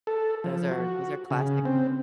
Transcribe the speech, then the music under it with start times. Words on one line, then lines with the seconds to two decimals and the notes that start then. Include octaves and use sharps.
Those are those are classics.
0.07 A4
0.44 F3
0.71 F#4
1.31 C#3
1.65 C4